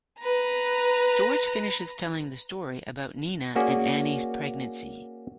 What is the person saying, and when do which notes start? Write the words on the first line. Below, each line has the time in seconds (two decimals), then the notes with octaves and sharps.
George finishes telling the story about Nina and Annie's pregnancy.
0.21 B4 A#5
3.55 A#3 C#4 F#4 G#4 D5